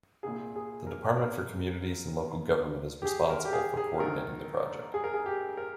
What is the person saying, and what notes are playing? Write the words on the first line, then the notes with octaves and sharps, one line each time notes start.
The Department for Communities and Local Government is responsible for co-ordinating the project.
C2 A#2 G#4
G#4
A#4
A#4
G4
G#4
A#4
G4
G#4
G#4
A#1 G#2 D#3 A#4
G#4
A#4
G#4
G4
A#4